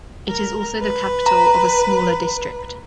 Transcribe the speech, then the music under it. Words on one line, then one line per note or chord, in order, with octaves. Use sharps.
It is also the capital of a smaller district.
A#4
B4
A#5